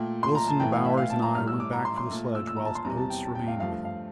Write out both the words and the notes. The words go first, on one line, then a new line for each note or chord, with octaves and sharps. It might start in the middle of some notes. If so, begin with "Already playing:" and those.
Wilson, Bowers, and I went back for the sledge, whilst Oates remained with him.
Already playing: A#2 A3 G5
C6
A#5
A5
A2 E3 A3 G5
F5
E5
F5
A5
A#5
A2 G3 F6
E6
D6
A#5
C6
C6
A#2 A3
E6
E6
A#5
A5
C6
E2 C3 G3 A#5
A5
G5
A5
G5
F5
G2 F3 A3 F5
F5